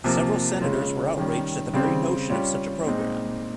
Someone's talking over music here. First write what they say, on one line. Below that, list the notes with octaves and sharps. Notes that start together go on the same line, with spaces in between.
Several Senators were outraged at the very notion of such a program.
C3 F3 A#3
C#3 G#3 C#4 F4
D#3 G3 C#4
C#3 G3 C4
G3 C#4 F4
A#2 G#3 C4 D#4